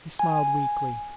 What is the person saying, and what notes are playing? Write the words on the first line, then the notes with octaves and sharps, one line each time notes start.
He smiled weakly.
G#5